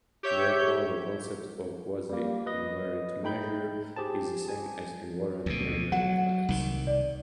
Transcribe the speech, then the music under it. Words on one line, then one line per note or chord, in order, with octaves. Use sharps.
Therefore, the concept of quasi-invariant measure is the same as "invariant measure class".
G4 C#5 E5 G6
G3 A#3
B4 D#5
A3 D#4 G5 B5 G6
G4 G#4 C5 A5
G#5
D2 B2
F#3 F#5
C2 D#3
D5